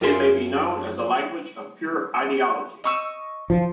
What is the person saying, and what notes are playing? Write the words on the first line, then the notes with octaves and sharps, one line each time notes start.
It may be known as a language of pure ideology.
F#2 F4 A#4 E5 G#5 C6
D#5 C#6 E6
F3